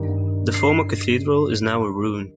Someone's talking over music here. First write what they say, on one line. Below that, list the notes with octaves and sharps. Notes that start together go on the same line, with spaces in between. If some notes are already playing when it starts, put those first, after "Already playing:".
The former cathedral is now a ruin.
Already playing: G2 D#3 G3
C7